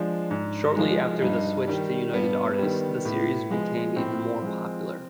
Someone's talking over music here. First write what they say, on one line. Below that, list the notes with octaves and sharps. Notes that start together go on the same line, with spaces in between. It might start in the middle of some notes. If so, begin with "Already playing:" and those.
Shortly after the switch to United Artists, the series became even more popular.
Already playing: F3 G#3 D4
G#2
F3 G#3
G2 D#4
D#3 G3
G2 B3
D#3 G3
A2
F3 G#3
A2 C4
F3 G#3